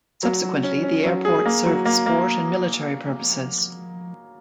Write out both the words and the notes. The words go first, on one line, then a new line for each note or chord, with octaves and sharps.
Subsequently, the Airport served sport and military purposes.
F#3
F#3
C#4
C#4
F#3
G#4
A#3
F#3
A#3
A#3